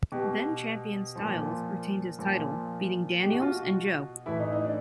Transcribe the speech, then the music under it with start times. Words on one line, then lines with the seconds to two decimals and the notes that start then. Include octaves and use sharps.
Then-champion Styles retained his title, beating Daniels and Joe.
0.12 B2 G4
1.15 A#2 F3
2.19 A#2 F3
3.23 B2 G4
3.32 F#4
3.42 F4
3.51 F#4
4.26 A2 E3 E4
4.40 D#4
4.53 D#4
4.65 D4